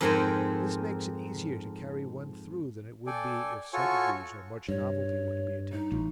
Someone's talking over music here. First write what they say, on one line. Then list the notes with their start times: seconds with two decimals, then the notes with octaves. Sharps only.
This makes it easier to carry one through than it would be if subtleties or much novelty were to be attempted.
0.01 F2 G#2 C4 A#4 G5 G#5
3.07 A4 D5 G5 G#5
3.73 F4 F#4 A4 C#5 G#5 C#6
4.68 G2 C#5
5.72 D#4
5.92 A1